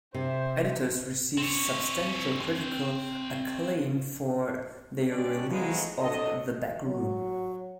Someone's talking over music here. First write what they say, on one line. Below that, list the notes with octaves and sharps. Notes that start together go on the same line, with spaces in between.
Editors received substantial critical acclaim for their release of "The Back Room".
C3 C5 E5
C4 C#5
G#3 C#4 D4 G4 C#5 D5
F3 F#3 G#3 A3 B3 D#4
F#3 D4 A4 D#5
F#3